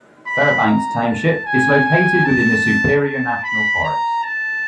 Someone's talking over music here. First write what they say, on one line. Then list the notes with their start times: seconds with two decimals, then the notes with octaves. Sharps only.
Fairbanks Township is located within the Superior National Forest.
0.27 B5
0.66 A#5
1.06 A5
1.46 G#5
1.85 G#5
2.25 A5
3.05 A5
3.44 B5
3.84 A#5
4.23 A5